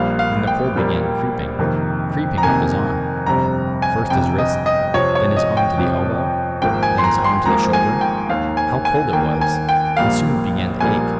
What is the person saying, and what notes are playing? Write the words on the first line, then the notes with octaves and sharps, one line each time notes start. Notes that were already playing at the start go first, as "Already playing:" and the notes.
Then the cold began creeping, creeping, up his arm; first his wrist, then his arm to the elbow, then his arm to the shoulder; how cold it was! And soon it began to ache.
Already playing: A#1 A#2 G3 A#3 F5
F5
G5
A#1 A#2 G3 A#3
F2 C3 D#3 A#3
A#5
F2 C3 D#3 A#3 G#5
G1 F2 C3 G3 A#5
G#5
G1 F2 C3 G3 G5
D#5
D#5
F2 C3 F3 C#5
C#5
D#5
G5
F2 C3 F3
G#1 G#2 F3 A#3 G5
G#5
C6
A#5
C6
G#1 G#2 F3 A#3 A#5
G#5
G5
D#2 D#3 A#3 F5
G#5
G#5
D#2 D#3 A#3 G5
G#5
G5
A#1 A#2 G3 A#3 F5
A#1 A#2 G3 A#3 G#5